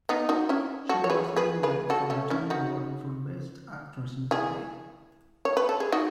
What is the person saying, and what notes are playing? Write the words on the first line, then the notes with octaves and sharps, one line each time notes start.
She was nominated for the Tony Award for Best Actress in a Play.
B3 D#4
D#4 F#4
C#4 E4
F#4 A4
C#5
G#4 B4
G#4 B4
G#4 B4
F#4 A4
A3 C#4
C#4 E4
D#4 F#4
E4 G#4
C#5
B4
A4
G#4
D#4 F#4